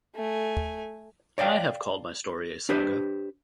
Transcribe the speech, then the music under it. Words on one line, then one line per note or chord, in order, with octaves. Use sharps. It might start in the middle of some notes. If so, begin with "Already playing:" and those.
I have called my story a saga.
A3 G#5
C#5 D5 F5 G5
D4 G4 B4 C5